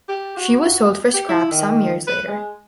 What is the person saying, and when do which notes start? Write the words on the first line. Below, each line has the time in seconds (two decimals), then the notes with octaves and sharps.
She was sold for scrap some years later.
0.09 G4
0.37 F#4
1.14 G4
1.29 E4
1.51 D#3
2.07 B4
2.28 G#3